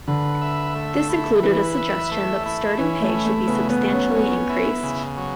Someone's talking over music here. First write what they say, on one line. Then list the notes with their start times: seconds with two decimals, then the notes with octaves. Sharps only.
This included a suggestion that the starting pay should be substantially increased.
0.08 D3 B4
0.41 E5
0.75 A3
1.10 E4
1.43 E3 B4
1.77 E5
2.12 A3
2.46 E4
2.79 E3 C#4
3.02 A3
3.14 E4
3.25 A3
3.47 C#3 B3
3.70 B3
3.81 F#3
3.93 C#4
4.15 B3 C#4
4.49 E4
4.83 C#3
5.17 F#3